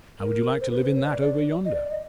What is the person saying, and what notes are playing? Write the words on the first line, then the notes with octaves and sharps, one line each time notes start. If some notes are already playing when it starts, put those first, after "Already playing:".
"How would you like to live in that over yonder?"
A#4
C5
B4
C5
C#5
D#5
D5
D5
D#5
D5
D#5